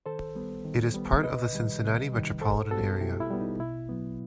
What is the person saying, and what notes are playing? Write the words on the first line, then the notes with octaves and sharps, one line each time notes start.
It is part of the Cincinnati metropolitan area.
D#3 A4 C5
G3 B3
D#3
G3 B3
C3 B4 D#5
D#3 G3
C3
D#3 G3
B2 A4 C5
G3 B3 F#4 A4
B2 E4 G4
E4
G3 B3
D#4
B2 E4
F#3 B3